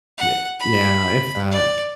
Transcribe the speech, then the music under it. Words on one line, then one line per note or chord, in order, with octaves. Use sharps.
Ye yeah, if that.
F#5
B5
D5